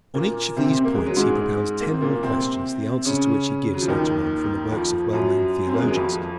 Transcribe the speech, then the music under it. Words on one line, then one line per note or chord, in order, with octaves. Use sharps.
On each of these points he propounds ten more questions, the answers to which he gives later on from the works of well-known theologians.
A#2 A#3
C3 C4
C3 C4
A#3
G#3
F#3
G#2 G#3
A#3
C4
A#2 A#3
C3 C4
C#3 C#4
F#3
F3
D#2 D#3
F2 F3
F#2 F#3
C4
A#3
G#3
F#3
F2 F3